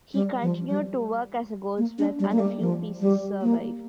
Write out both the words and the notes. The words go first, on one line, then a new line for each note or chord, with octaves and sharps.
He continued to work as a goldsmith and a few pieces survive.
G3
F3
G3
A#3
D4
G3
A#3
G3
F3
G3
A#3